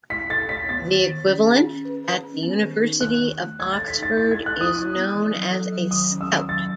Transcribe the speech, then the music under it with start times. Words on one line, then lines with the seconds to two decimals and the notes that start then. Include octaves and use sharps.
The equivalent at the University of Oxford is known as a "scout".
0.10 E4 B6
0.29 A4 A6
0.49 C#5 B6
0.69 B3 A6
0.88 D#3
1.07 D#3
1.27 C#4
1.46 G#4
1.65 C#4
1.85 B4
2.04 B4
2.23 C#4
2.43 B3
2.62 D#3
2.82 D#4
3.01 D#3 F#6
3.20 D#3
3.40 A3
3.59 C#5 G#6
3.73 A4 A6
3.88 B6
3.98 D#4 A6
4.17 E4 A6
4.31 A4 G#6
4.46 F#6
4.56 E4 D#6
4.75 E4
4.95 B3
5.14 E3
5.33 F#3
5.53 A4
5.72 F#3
5.91 D#3 D#6
6.11 C#4
6.21 E6
6.30 D#3
6.49 F#3 A6